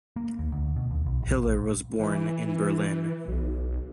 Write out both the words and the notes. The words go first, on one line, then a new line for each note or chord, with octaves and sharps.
Hiller was born in Berlin.
A#3
D#2
D2
B2
D#2
B1
A#1
A#1
E3
B1